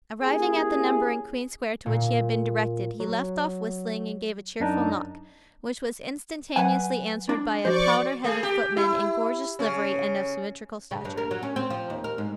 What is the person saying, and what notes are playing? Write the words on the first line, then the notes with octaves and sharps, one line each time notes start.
Arriving at the number in Queen Square to which he had been directed, he left off whistling and gave a cheerful knock, which was instantaneously answered by a powdered-headed footman in gorgeous livery, and of symmetrical stature.
A#3 C#4 E4 G4 G#4
A#2
F#3
F#2 D4 D#4
F#3 B4 F#5 G#5
D4
F3 F#4 C5 D5 C#6 D6
A3 G#4
G4
E4
C#3 C#4
C#3
G2
A#4
F#3
C#4
C4
F3
D#2
A#4
G#2